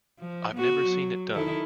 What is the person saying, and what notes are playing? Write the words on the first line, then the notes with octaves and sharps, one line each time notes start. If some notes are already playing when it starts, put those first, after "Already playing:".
I've never seen it done.
F3
B3 F#4
F#3
D#3 E4 A4